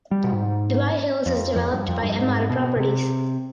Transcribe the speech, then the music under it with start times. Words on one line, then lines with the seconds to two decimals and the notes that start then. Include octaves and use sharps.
Dubai Hills is developed by Emaar Properties.
0.11 G3
0.24 B2
0.32 G#2
1.26 F2
1.56 F2
1.73 G2
1.88 F2
2.02 G2
2.19 G#2
2.50 B2
2.76 B2
2.80 C3